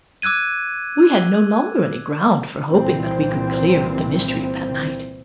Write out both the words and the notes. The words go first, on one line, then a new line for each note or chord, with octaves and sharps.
We had no longer any ground for hoping that we could clear up the mystery of that night.
D6 E6 F#6 G#6 D#7
C2 A#2 E3 C4